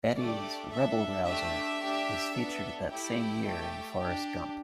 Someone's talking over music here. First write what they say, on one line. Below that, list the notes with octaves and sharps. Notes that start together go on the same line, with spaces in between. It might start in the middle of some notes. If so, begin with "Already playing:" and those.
Eddy's "Rebel Rouser" was featured that same year in "Forrest Gump".
A3 D4 G4 D5
D4 A4 E5
A3 D4 G4 E5
D4 G4
B3 D4 A4
A3 E4 G4 G5
A3 G4
D4 G4